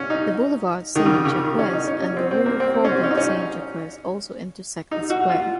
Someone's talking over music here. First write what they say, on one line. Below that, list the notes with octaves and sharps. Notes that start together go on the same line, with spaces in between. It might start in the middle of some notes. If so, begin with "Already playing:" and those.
The "Boulevard Saint-Jacques" and the "Rue Faubourg Saint-Jacques" also intersect the square.
Already playing: C#4
D#4
D#3
C#3
C#3
D#3
C#4
D#4
C#4
C#4
C4
C4
A#3
C4
C4
C#4
C4
C#4
D#4
C#4
D#4
F#4
F4